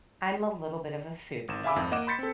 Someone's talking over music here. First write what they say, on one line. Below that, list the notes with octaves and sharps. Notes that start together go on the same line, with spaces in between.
I'm a little bit of a foodie,
G#1 E7
E5 F5 G#5 B5 D6 E6
G#1 F2
A#3 D#5 F#5 D6 E7
B5 C6 G6 A6 B6 C#7
C4 A4